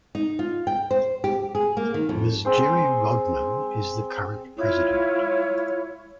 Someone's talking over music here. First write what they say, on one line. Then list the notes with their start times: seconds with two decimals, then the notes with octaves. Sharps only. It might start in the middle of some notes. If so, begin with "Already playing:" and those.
Ms. Geri Rodman is the current president.
0.15 D#4
0.39 F4
0.67 G5
0.91 C5
1.24 G4
1.55 G#4
1.77 A#3
1.94 D#3
2.09 F2
2.45 C4 G#4 C5
4.58 E4 F4 C#5